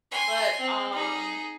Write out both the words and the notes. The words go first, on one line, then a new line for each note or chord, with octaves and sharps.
But, um,
G#5 C6
C4
D#4 G#4